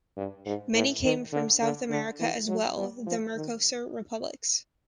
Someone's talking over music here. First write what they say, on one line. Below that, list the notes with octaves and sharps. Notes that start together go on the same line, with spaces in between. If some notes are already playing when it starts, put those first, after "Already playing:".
Many came from South America as well-the Mercosur Republics.
G2
G#2
A2
D#3
D3
D3
D3
E3
F#3
G3
F3
D#3